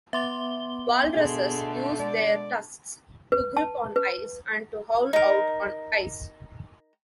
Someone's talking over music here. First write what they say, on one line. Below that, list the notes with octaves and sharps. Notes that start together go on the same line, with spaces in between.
Walruses use their tusks to grip on ice and to haul out on ice.
B3 E5 C6 D6 G7
B2 D3 A3 G#4
G#3 D5
B4
A5
B4
D#4 A#4